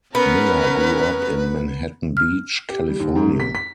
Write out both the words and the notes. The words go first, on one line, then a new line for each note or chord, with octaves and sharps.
Miller grew up in Manhattan Beach, California.
B3 C#4 A#4 B4
F6
G4
G3
D#2
G#2
C3
B6
B6